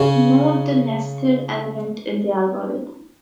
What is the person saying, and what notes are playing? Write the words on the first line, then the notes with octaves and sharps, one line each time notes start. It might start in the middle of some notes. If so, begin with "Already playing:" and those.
Note the nested element in the algorithm.
Already playing: C#3 C#4